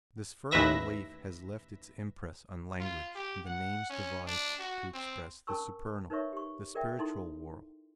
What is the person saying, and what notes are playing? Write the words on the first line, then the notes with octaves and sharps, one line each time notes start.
This firm belief has left its impress on language in the names devised to express the supernal, the spiritual world.
A1 D#2 B4 E5 A#6
F4
G4
F#5
C#4
D4
F#4
C4
C#4 D4 A#4 A5 C#6 E6
D#4 A#4 B4 C#5 E5 C#6
G4 C#6
G#4 A#4 D5 E5 G5
D#4 E4 A4 C6